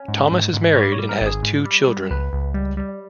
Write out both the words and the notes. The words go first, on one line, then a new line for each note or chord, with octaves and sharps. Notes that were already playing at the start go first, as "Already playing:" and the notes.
Thomas is married and has two children.
Already playing: C#4
G#2
G#2
G#2
G3 C#5
C#5
G3
A#4
G#1
G#4
G#2
G3
G3
C#2 B4
C#2
G3
G3